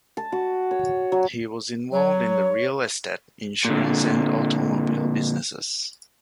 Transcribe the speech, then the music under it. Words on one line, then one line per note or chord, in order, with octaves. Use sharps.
He was involved in the real estate, insurance and automobile businesses.
A5
F#4
C#5
F#3
F#3 C#5
A#2 D3